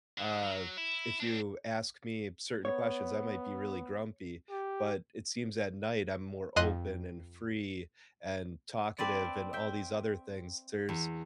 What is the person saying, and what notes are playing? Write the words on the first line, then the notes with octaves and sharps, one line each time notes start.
uh, if you ask me certain questions, I might be really grumpy, but it seems at night I'm more open and free and talkative, and all these other things. There's
D3
F#3
E4
C4 D4
B3 C#5
G4
F2 D#5 C6 F#6 D#7
C4 B4 D5
E5 G5
E2